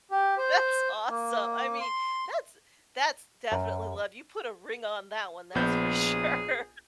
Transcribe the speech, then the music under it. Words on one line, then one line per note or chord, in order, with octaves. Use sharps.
That's awesome. I mean that's that's definitely love, you put a ring on that one, that's for sure.
G4
C5
A#3
C6
F#2
A#1 B3 G#4 G6